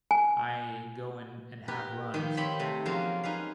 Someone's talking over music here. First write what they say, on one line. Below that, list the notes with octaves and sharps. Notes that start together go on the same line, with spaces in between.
I go and and have runs,
G#5
G4 A#4 B4
D#3 F3 G4
C4 G4 C#5 B5
C3 A3
F3 F#3 G#3 A#3 C#4
D#4 G#4 B4 F5